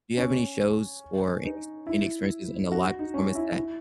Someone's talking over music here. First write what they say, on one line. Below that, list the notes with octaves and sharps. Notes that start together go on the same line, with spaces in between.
do you have any shows, or any ex any experiences in a live performance that,
C#4
D#4
E4
F#4
F#4
D#4
C#4
E4
E4